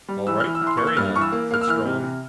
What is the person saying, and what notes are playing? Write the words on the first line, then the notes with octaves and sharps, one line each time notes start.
"All right, carry on," said Strong.
G3
E3 E6
E3 F6
E6
E3
C6
A#3 C#6
E6
G2 F6
E3 C#6
E6
A#3
A#3 F6
E6
E3 F6
C3
C3